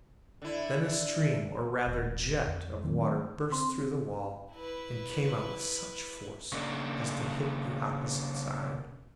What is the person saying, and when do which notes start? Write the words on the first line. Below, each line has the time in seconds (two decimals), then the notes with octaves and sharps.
Then a stream, or rather jet, of water burst through the wall and came out with such force as to hit the opposite side!
0.42 D3 E4
1.87 D#1 A1
2.47 F2
2.84 D#3 F#3 A3 C4
3.52 C4 C6
4.52 E4 B4
6.52 C#3 A#3 D4